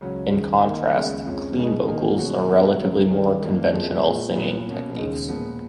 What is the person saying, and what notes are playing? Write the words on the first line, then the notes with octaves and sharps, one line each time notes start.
In contrast, "clean" vocals are relatively more conventional singing techniques.
C#2 C#3 F#3 C#4 F#4
F#2 D#3 G#3
D#3 A#3 D#4
C#2 C#3 G#3 B3
F2 F3 G#3 C#4
C#2 B2 G#3 D#4 G#4
D#3 A#3 D#4
B2 G#3 C#4 F#4
B2 G#3 D#4 F#4
C#2 C#3 F#3
D#3 G#3 C#4
F#2 F3 A#3 D#4
F2 F3 G#3
A#2 F3 G#3
A#2 F#3 B3
B2 A#3 C#4
D#2 C#3 G#3 D#4
A#2 F3 G#3 B3